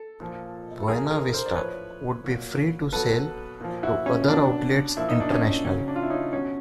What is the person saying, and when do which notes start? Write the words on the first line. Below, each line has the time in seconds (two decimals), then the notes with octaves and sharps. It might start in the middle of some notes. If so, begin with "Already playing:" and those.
Buena Vista would be free to sell to other outlets international.
Already playing: A4
0.20 A#2 F3
0.83 A4
0.88 A2 F#3 G#4 A#4
1.10 G#4 A#4
1.33 A#4 C5
1.46 D5
1.56 A2 F3 B4 C#5
2.24 A#2 F#3
2.92 B2 F#3 A4 B4
3.60 A#2 F3
3.83 E4 F#4
4.06 C#4
4.28 B2 F#3 D4
4.97 A#2 F3 E4
5.09 D#4
5.20 D4
5.32 C#4 D#4
5.65 C#3 F#3 C#4
5.88 D4
5.96 F4
6.03 E4
6.10 C#4 D#4
6.33 B2 F#3 C#4